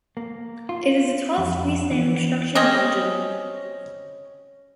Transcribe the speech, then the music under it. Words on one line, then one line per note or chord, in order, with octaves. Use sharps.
It is the tallest free standing structure in Belgium.
A#3
F4
F2
E3
C4 C#4 D#5